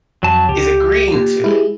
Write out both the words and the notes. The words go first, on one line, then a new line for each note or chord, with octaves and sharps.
is agreeing to it,
F2 F#3 A5
C#2 G4
A#2
G#3 E4